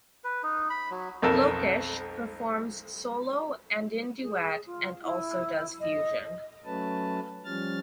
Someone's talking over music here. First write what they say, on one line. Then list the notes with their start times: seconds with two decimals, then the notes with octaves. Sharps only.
Lokesh performs solo and in duet and also does fusion.
0.24 B4
0.43 D#4
0.70 B5
0.90 F#3
1.22 B1 F2 A4 A#4
4.22 G#4
4.66 F4
5.03 E4
5.80 D#5
6.65 F#3 A3 C#4 B4 A5
7.45 F3 G3 C#4 F6 A6